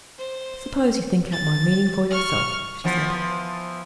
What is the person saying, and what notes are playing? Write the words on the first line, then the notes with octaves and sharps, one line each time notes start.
"Suppose you think out my meaning for yourself," she said.
C5
A6
C#6 F6
E3 F3 B3